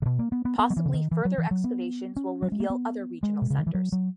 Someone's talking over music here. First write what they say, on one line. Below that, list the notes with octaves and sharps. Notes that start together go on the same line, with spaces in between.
Possibly further excavations will reveal other regional centres.
C#3
B2
A#3
B3
B3
B3
F#3
E3
C#3
D#3
E3
F#3
E3
F#3
B3
C#4
F#3
G#3
A#3
B3
G#3
B2
C#3
D#3
E3
F#3
F#3